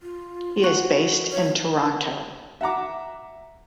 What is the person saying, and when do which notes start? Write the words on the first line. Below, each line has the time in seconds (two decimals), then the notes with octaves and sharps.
He is based in Toronto.
0.03 F4
0.64 F#4
1.32 C#5
2.61 E5 F#5 A#5 D6